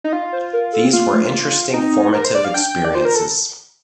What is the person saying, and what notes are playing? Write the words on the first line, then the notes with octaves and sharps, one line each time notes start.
These were interesting formative experiences.
D#4
F4
C5
A#4
A4
C4
A#3 F4
A3
A#3
C4 D#4
A#4
C5
D5
F5
D4 G5
C4
D5
F4 C5
A#4
A4